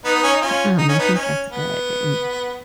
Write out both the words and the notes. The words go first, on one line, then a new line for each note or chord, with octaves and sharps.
Oh, and I think that's good, and,
B3 D#4
B3
C#4
D#4
C#4 F4
D#4
C#4
B3 D#4
C#4
B3